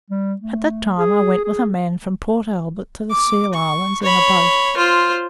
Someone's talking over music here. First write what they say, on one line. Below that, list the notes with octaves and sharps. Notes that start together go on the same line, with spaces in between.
At that time I went with a man from Port Albert to the Seal Islands in a boat.
G3
A3
G#4
G#4
D6
C#6
C#5 B5
F4 C5